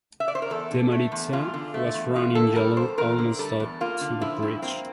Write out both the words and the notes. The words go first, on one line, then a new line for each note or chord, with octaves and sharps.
The Maritza was running yellow almost up to the bridge.
E5
D5
C5
A#4
E2 A4
D3
A3
E2
E2 F4
D3
A3
E2
E2 F4
D3 A4
G3 A#4
E2 C5
E2 A#4
D3
G3 A4
E2
A#3 F4
D3
F3 E4
G2
A#3 C4